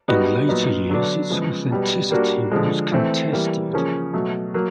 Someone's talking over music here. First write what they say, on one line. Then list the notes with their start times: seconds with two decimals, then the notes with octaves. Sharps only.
In later years its authenticity was contested.
0.08 G3 B3 D#4 F#4
0.49 A#2 F#3 B3 D#4
0.89 D3 F#3 B3 D4
1.30 C#3 F3 G#3 B3
1.71 B2 G3 B3
2.10 G3 A#3 D4 F#4
2.52 D3 F3 G#3
2.92 E3 A3 C4
3.33 E3 G3 A#3
3.73 C#3 F3 A#3 C#4
4.13 B2 F#3 A3
4.54 F#3 A#3